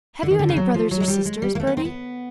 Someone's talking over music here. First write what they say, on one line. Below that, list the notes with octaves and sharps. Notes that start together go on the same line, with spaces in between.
"Have you any brothers or sisters, Bertie?"
D3
D#3
D3
C#3
F#3
F3
F#3
G#3
G3
G#3
G3
A#3
A3
B3
C4
B3